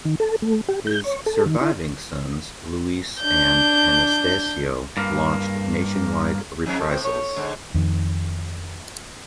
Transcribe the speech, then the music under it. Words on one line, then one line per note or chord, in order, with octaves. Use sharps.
His surviving sons Luis and Anastasio launched nationwide reprisals.
D#3
A4
A3
G4
G6
C#5
A4
D#3
E4
D4 G6
G2 A#3
F2 G#2 F#3
A2 A4
C4
C#5
G#2 D3
F2 D#3